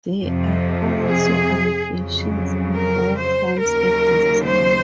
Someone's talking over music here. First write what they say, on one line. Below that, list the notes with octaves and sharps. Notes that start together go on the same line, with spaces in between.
There are also allegations of war crimes at this time.
F2 C3 F3
G#4
F2 C#3 F#3
A#4
C5
D#2 C#3 F#3 A#4
C5